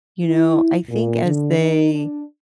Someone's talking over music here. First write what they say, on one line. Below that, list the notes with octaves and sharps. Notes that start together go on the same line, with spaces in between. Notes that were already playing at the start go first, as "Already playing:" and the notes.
you know? I think as they
E4
A#2
D3
D#4
D4